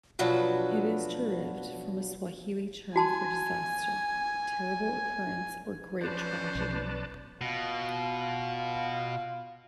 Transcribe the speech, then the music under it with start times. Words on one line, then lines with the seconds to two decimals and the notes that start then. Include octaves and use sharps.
It is derived from a Swahili term for "disaster, terrible occurrence or great tragedy".
0.19 B2 F3 F#3 D4 F#4 B4
2.96 F#4 G#5 A5 C6
6.01 F3 C#4 B4 C5 D5 A5
6.55 B1
7.41 B2 F4